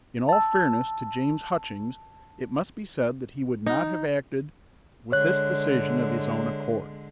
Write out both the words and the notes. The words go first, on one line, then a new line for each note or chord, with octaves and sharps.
In all fairness to James Hutchings, it must be said that he would not have acted with this decision of his own accord.
A5 E6
D#4
D3 G#3 C#5 F#6